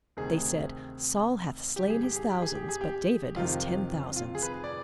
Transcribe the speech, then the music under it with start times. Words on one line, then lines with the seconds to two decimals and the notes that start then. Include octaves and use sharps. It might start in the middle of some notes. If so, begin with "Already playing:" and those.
They said, 'Saul hath slain his thousands, but David his ten thousands.'
0.17 D2 C3 D#3 G#4
1.76 G2 D3 G4
1.90 G#4
2.03 G4
2.16 G#4
2.30 G4
2.42 G#4
2.55 G4
2.69 G#4
2.81 G4
3.36 F2 C3 D#3 F4
4.16 F4
4.35 G#4
4.42 B4
4.64 D5